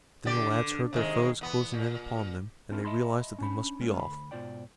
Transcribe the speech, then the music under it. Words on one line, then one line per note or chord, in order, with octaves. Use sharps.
Then the lads heard their foes closing in upon them, and they realized that they must be off.
D3 G4 D5
D3
C3 D#3 G#3
E2 B3
A#2
C4 D4 E4 F4 A#4 C5
D#5 E5 A5 B5 C6
C#4 D4 B5
G#3 A3 B3 C#4
D2 B5
G#2 B2 F4 C5 D5 G5